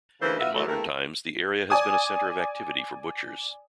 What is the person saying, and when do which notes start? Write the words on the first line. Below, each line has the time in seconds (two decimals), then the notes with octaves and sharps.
In modern times, the area has been a center of activity for butchers.
0.21 D2 C#3 E3 A#3 D#4 C5
0.39 F4 F#4 B4 E5
0.54 E3 F#3 A3
0.68 E2 G2 A3 A#3 A#4
1.70 D5 G#5 D#6